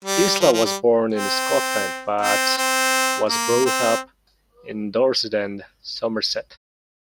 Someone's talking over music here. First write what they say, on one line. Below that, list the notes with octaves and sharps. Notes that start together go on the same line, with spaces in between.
Isla was born in Scotland but was brought up in Dorset and Somerset.
G3
F3
F3
G3
C4
C4
C4
A#3
C4